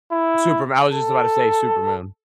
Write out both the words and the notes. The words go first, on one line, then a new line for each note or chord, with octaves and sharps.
Superma I was just about to say Superman.
E4
A4